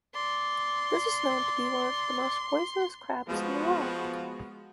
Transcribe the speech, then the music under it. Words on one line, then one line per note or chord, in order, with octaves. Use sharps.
This is known to be one of the most poisonous crabs in the world.
D5 C6
F3 G#3 B3 F#4